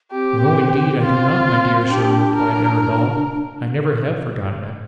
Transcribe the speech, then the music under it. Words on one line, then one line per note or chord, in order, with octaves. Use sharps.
'No, indeed I do not, my dear Sir,' replied Arabella. 'I never have forgotten it.
C4 G4
C4 F4
C4
D4 G4
A#4
A#4